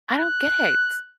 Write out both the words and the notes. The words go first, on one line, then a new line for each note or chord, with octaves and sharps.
I don't get it.
F#6